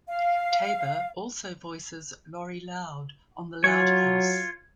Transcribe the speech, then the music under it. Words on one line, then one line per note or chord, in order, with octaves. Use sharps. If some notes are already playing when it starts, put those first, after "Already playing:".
Taber also voices Lori Loud on "The Loud House".
F5
F#3 F4 C#5